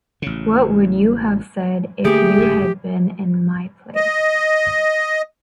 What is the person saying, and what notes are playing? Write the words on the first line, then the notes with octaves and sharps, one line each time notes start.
What would you have said if you had been in my place?
A1 C#3
D3 A3 A#3 G4 G#4 D7
F#1 G#2 D3
D#5